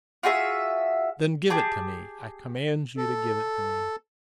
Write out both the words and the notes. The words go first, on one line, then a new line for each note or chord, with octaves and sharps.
"Then give it to me; I command you to give it to me."
F4 F#4 G#4 E5
G4 G#4 A5
A4